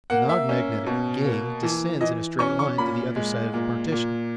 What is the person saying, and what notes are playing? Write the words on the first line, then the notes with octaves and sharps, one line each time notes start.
The non-magnetic gangue descends in a straight line to the other side of the partition.
A#3 F#5
E5
C#4
B2
A#3
E3
E3 D#5
C#4 C#6
C#6
A#2 B5
G#3
A#2
A#2